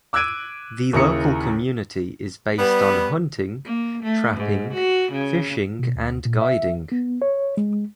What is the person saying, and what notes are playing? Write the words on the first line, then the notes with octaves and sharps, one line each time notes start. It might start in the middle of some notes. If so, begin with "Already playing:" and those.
The local community is based on hunting, trapping, fishing and guiding.
D6 E6 F#6 G#6 D7 D#7
D#2 C#3 E4 A#5 D#6 C#7
G3 B3
A#3
A3
G#2
F#4
C#3
B2
D2
A#2
E5
B3
C#5
G#3